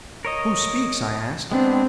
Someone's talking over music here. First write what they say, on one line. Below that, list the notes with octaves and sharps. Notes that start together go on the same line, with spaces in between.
"Who speaks?" I asked.
A#4 C#5 D#5
G#3 B3 C4 D4